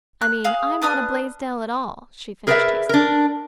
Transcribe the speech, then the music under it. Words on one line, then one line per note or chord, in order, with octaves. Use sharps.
"I mean, I'm not a Blaisdell at all," she finished hastily.
F#6
G#4 F5
D4 B4 D#6 F6
G#4 A#4 B4 C#5 D5 E5
D4 A#4